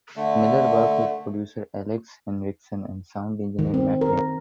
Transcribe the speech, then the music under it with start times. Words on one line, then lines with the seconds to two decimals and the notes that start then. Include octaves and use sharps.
Miller worked with producer Alex Henriksson and sound engineer Matt Neighbour.
0.16 D3 A3
3.59 D#3
3.74 C4
4.01 A#4